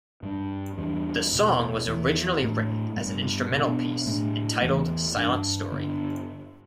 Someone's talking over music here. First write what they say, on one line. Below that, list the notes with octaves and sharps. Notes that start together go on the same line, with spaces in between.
The song was originally written as an instrumental piece and titled Silent Story.
G2 G3 D4
E2 E3 G3 D4
E2 B2 B3
E2 E3 B3
A2 A3 D4
G2 G3 B3
B2 B3 D4
A2 A3 D4
E2 E3 A3
G2 G3 D4
G2 D3 B3 D4